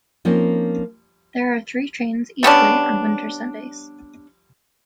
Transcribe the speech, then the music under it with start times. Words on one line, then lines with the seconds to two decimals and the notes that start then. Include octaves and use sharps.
There are three trains each way on winter Sundays.
0.25 F3 A#3 C4 C#4 D#4
2.43 G3 B3 C#4 D4